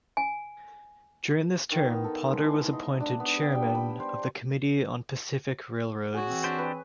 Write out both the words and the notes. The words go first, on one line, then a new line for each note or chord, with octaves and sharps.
During this term Potter was appointed Chairman of the Committee on Pacific Railroads.
G#5
D#3
B3
A4
G#3
E3
D#4
D4
B3
G5
G3
B5
C5
F#4 G#4 C#5
E3 C4
D4 G4 C5
B4